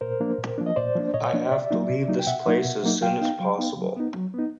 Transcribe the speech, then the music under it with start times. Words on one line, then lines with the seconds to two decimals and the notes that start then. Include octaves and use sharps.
I have to leave this place as soon as possible.
0.01 A#2 A#4 C5
0.20 F3 A#3 D4
0.39 A#2
0.58 F3 A#3 D4
0.66 D#5
0.76 A#2 C5 D5
0.95 F3 A#3 D4
1.14 A#2 C#5 D#5
1.33 F3 A#3 D4
1.52 B2 D5 E5
1.71 F#3 A#3 D#4
1.90 B2
2.08 F#3 A#3 D#4
2.19 G5
2.27 B2 E5 F#5
2.46 F#3 A#3 D#4
2.65 B2
2.84 F#3 A#3 D#4
3.02 F#3 F5 G5
3.21 B3 D#4
3.40 F#3
3.59 B3 D#4
3.77 F#3
3.97 B3 D#4
4.16 F#3
4.34 B3
4.39 D#4